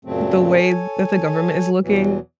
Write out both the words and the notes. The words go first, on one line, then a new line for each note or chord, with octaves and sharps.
the way that the government is looking,
F#2 A#2 C#3 F#3 A3 C4
A4 C#5 G#5
E2 B2 E3 F#3